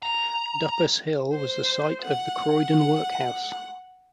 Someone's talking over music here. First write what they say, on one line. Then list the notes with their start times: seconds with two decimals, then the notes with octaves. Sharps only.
Duppas Hill was the site of the Croydon workhouse.
0.03 A#5
1.33 C5
2.02 F#5